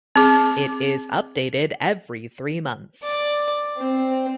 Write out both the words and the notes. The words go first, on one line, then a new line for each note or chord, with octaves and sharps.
It is updated every three months.
C4 G#4 D6
D5
C4